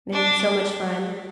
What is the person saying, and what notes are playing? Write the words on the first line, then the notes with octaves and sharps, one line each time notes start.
and it's so much fun.
D4